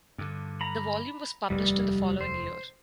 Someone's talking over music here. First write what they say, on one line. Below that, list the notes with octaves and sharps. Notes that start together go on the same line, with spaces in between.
The volume was published in the following year.
G2 D3
A#5 B5
F1 D#2 G3
C5